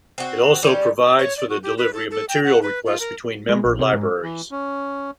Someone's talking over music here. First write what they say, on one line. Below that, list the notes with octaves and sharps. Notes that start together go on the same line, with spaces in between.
It also provides for the delivery of material requests between member libraries.
C4 F#4
G3 C#4 E4 G4
C#5
D5
F#4
G4
B4
A4
A4
G5
F#5
B4
F4
A#4
G#3
A#1
C3
G#2
E3
C#4